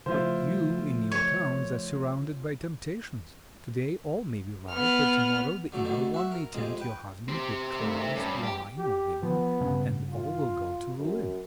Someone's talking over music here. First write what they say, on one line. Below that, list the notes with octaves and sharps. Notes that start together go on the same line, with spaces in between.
But you, in your towns, are surrounded by temptations; today all may be right, but tomorrow the Evil One may tempt your husband with cards, wine, or women, and all will go to ruin.
C#3 F3 A3 E4 F4 C5
C#5
B3 F6
D3 F#3 A3
B2 D3 D#3 A3
F#4 E5
A#4
F2 C3 G#3
B4 G5
C4 G4
D#3 G3 A3
C5 E5
G2 C3 C#4
E2 G4
G4
F3 B3
G2 C#3
F4
F#2